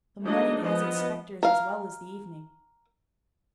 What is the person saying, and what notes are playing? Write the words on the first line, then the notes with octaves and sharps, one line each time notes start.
The morning has its spectres as well as the evening.
F#3 G#3 A3 D4 D#4 D#5
F3 B3 D#5
A#4 F5